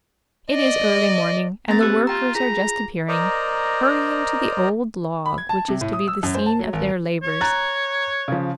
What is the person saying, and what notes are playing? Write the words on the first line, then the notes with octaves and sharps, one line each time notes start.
It is early morning, and the workers are just appearing, hurrying to the old log which is to be the scene of their labors.
D5 D#5
A#3 C4 A#5 A6
G4 B4 E6
F4 G5 A#5
F4 G#4 A#5
A#4 C5 D5 D#5 A#5
B5
G#6
A5
C3
A2
D#6
E6
F#2
C5
A5
F#3
G#1
C#5
A#5 F#6 A6
C#3 F3